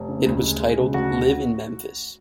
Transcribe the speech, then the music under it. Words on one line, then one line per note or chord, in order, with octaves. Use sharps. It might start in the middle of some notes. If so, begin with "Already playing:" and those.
It was titled "Live in Memphis".
Already playing: F1
C#3
D2
G#3
G#3
C#3
D2 F#4